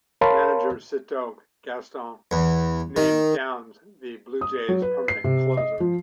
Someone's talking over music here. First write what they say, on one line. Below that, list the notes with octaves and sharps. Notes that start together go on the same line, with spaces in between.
Manager Cito Gaston named Downs the Blue Jays' permanent closer.
A#4 C#5 F5 A5 B5 C6
E2
D#3
D#6
F#3
B4
C7
C3
D#5
F3